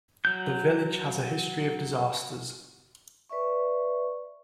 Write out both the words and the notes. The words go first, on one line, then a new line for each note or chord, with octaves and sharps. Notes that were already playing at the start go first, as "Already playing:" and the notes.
The village has a history of disasters.
F#3 G6
B4 D5 E5 C#6